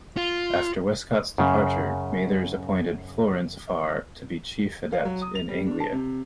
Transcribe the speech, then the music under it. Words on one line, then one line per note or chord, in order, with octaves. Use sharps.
After Westcott's departure, Mathers appointed Florence Farr to be Chief Adept in Anglia.
F4
F#2 C#3
F5
F#3
D#6
F7
G3
D4
A5
C3